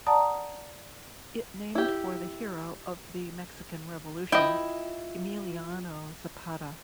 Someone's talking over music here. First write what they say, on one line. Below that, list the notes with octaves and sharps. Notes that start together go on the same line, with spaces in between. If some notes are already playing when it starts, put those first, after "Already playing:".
It named for the hero of the Mexican Revolution, Emiliano Zapata.
D5 F#5 A5 A#5 D#6
E4 G4
E4 F4 D#5 G5